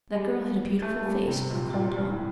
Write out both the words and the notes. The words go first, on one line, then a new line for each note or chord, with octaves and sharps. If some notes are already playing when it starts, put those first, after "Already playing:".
That girl had a beautiful face but a cold one.
G3
A3
G3
C3
A#2
A#2
G2
A2